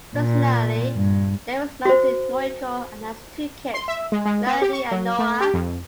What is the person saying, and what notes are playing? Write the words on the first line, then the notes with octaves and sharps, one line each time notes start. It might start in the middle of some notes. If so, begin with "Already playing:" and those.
Personally, David is married to Noriko and has two kids, Melody and Noah.
A#2
G2
F#4 C5
C6
E5
G#3
G#3
B3
G4
C#6
F#3
A3
G4
F2